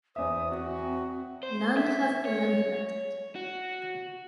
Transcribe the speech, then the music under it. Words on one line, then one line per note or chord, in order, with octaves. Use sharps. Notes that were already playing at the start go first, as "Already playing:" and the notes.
None have been implemented.
E2 C5 E5 D#6
C4 F#4
C5
E5
C#5
F#4